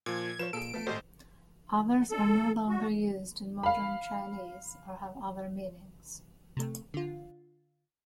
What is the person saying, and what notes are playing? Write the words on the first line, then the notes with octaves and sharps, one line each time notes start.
Others are no longer used in modern Chinese or have other meanings.
A#2 F3 G#6
F3 B4 C#5 E7
A#2 G#4 A4 D7
F2 A3 B3
G#1 A2 G3 F#4 C5 D#5
A4
F#4
F5 B5
C3 A3
D3 F4